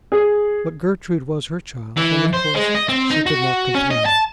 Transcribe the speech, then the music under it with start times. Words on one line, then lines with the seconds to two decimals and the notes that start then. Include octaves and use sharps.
But Gertrude was her child, and of course she could not complain.
0.12 G#4
1.96 E3
2.33 C5
2.55 G#3
2.75 D#5
2.89 C4
3.10 D#4
3.26 F#4
3.75 C#4
3.91 D#5
4.06 A5